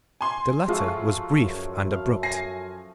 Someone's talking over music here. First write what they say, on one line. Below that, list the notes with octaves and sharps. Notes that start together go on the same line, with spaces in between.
THE letter was brief and abrupt.
G#5 C6
F3 F#3 G#3 A3 F4 G#4
F#2
F5
G#5 A#6 C7